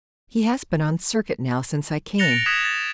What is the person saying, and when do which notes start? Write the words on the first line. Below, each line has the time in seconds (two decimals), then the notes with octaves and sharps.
He has been on circuit now since I came.
2.18 F#6 A6 A#6 C#7 F7 G7
2.31 D7
2.46 D#6 F#6 G#6 B6 E7
2.65 A6